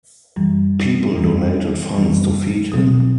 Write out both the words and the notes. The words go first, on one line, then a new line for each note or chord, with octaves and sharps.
People donated funds to feed him.
F#2 E3 G3
F#2 E3 G3
F#2 E3 G3
B2 F#3 C4